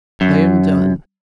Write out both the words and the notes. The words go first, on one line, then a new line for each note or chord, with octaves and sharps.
I am done.
F#2